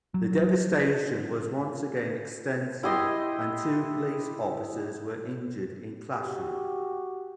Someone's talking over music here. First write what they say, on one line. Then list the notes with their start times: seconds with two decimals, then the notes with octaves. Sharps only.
The devastation was once again extensive and two police officers were injured in clashes.
0.14 F#3
2.83 E4 G4 D#5 C6
6.15 F#4 G4